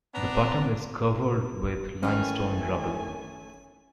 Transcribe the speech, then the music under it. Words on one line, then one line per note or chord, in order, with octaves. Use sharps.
The bottom is covered with limestone rubble.
B3 C4 D4 A#5
D#3 E3 A3 C#4 G#5